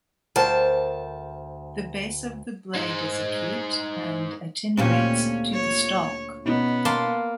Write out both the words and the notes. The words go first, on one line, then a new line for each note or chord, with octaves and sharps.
The base of the blade is acute and attenuates to the stalk.
D2 A#4 C5 G5 A5
D#4 C5
D2 A#2 C4 C#4 G4
C#5
B2 B3 C#4 D#4
A#3 A5 C6